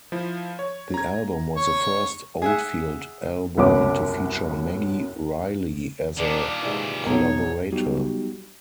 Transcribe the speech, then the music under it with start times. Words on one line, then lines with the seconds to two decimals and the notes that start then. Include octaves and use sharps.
The album was the first Oldfield album to feature Maggie Reilly as a collaborator.
0.12 F3 E4
0.59 C#5
0.94 A#5 G#6
1.57 C#5
2.42 G#4 E5 F#5
3.57 C2 F#2 B3 C#4 D6
6.17 A#2 D#3 D4
6.62 G#2 C3 E3
7.06 B1 D#4 C#5
7.72 F#3 G3 B3 D#4 F#4 G4